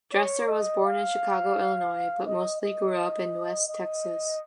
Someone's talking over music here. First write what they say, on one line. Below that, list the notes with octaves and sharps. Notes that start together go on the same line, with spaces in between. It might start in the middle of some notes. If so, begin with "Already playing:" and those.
Dresser was born in Chicago, Illinois, but mostly grew up in West Texas.
C#5
D#5
F5
D#5
D#5
D#5